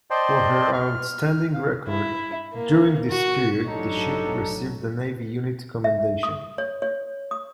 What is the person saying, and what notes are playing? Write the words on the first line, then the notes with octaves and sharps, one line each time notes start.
For her outstanding record during this period the ship received the Navy Unit Commendation.
C5 D5 D#5 G5 A5 C6
F6
F5
E4
A#3
F#4
A1 G2 F#3 D4 D#4 G4 A4 C#5
E5
D#6
C#5
C#5
D#6